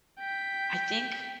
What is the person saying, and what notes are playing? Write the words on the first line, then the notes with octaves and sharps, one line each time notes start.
I think
G5 B6